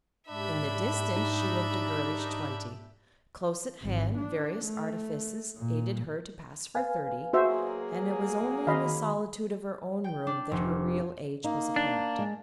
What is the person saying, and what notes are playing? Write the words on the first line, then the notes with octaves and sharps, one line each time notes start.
In the distance she looked a girlish twenty; close at hand various artifices aided her to pass for thirty; and it was only in the solitude of her own room that her real age was apparent.
G#2 D4 G4 E5 B5
D#4
G#1
D4
A3
A#2
B4 F5 G#5
F#3 A#3 F#4 G#4 C5 E5
D#3 F#4 D#5 F5 B5
G5
D4
F1
A#3 D#4
D4
G#3